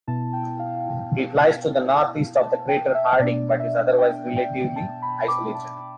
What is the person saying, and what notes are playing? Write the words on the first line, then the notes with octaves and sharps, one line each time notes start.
It lies to the northeast of the crater Harding, but is otherwise relatively isolated.
B2 B3 E4 A5
G5
F5
A5
G5
E5
B2 B3 D4 D5
E5
G5
G5
A5
B5
D6
A5